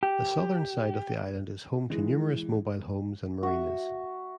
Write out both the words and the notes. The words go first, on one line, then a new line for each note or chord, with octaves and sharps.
The southern side of the island is home to numerous mobile homes and marinas.
G4
E3 G#3
F#4 E5